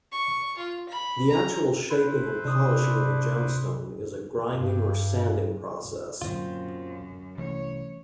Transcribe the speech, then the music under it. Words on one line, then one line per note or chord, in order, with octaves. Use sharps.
The actual shaping and polishing of a gemstone is a grinding or sanding process.
C#6
F4
B5
A#5
E4 B4 C5
C3 D4 D#6
G2
F#2 A#2 D3 F#3 C4 F4
C2 E3 A3 C#4 C#5